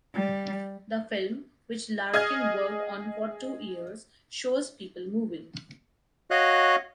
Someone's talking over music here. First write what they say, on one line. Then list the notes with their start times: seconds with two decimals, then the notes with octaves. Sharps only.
The film, which Larkin worked on for two years, shows people moving.
0.15 G3
2.14 G#4 D#5 F6 G#6
6.31 F#4 C#5 D#5 F5 F#6